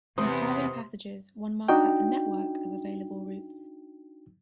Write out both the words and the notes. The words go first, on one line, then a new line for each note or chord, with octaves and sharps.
In "carving passages", one marks out the network of available routes.
E2 C3 B3 C5 D#6
D4 D#4 F#4 G5